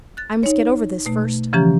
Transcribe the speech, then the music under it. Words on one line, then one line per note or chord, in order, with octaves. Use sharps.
I must get over this first.
F#6 A6
D#4 C#5
B2 A3
C#3 E3 F3 C#4 G4 A#5